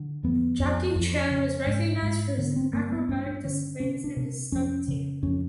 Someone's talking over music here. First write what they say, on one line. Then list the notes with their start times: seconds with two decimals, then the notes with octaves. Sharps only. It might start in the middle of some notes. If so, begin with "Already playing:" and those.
Jackie Chan was recognised for his acrobatic displays and his stunt team.
Already playing: D3
0.23 F2 B3
0.59 F2
0.95 F2
1.31 C#3
1.66 G#2
2.02 G#2
2.37 D3 B3
2.56 C4
2.73 G2 A#3
2.92 B3
3.09 G2 C#4
3.26 D4
3.44 D3 C#4
3.80 C3 C#4
4.04 D4
4.16 C3
4.52 F2 C#4
4.88 C#3
5.22 F2 C#4